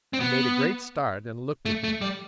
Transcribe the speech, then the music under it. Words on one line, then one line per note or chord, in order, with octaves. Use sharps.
He made a great start and looked at me.
C4
B3
A3
A3
G3